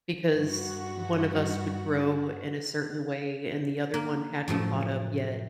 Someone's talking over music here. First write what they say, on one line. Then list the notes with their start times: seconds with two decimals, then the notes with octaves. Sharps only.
because one of us would grow in a certain way and the other one hadn't caught up yet.
0.34 G2 F#4
3.94 A#3
4.48 F#2 A2 F3 A3